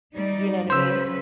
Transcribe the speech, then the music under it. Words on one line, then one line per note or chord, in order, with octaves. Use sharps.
you know, what I mean?
G3 D#4 D5
C#3 F#3 B4 C5 E6